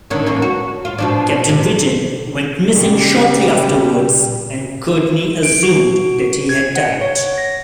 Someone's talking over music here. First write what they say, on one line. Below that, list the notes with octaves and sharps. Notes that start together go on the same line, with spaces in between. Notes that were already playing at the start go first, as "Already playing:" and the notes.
Captain Britain went missing shortly afterwards and Courtney assumed that he had died.
D3 D#3 C#4
E3 A#3 C#4
F#4
F4
B2 F3 D4
C3
A#2 C#3 G3
D7
F#4
G#6
F#5
C#5
A#6